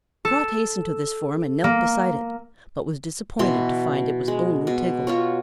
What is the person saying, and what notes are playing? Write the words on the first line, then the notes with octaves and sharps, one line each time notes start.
Trot hastened to this form and knelt beside it, but was disappointed to find it was only Tiggle.
A4
A#3
B2 E3 C6
G#3
B2
F4 F#4 C#5